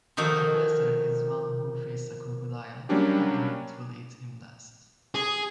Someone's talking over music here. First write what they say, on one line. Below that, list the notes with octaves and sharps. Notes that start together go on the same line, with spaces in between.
An appeaser is one who feeds a crocodile – hoping it will eat him last.
D#3 F3 D#4 F#4 A4
F#3 G3 A#3 C#4 D4 G4
G#4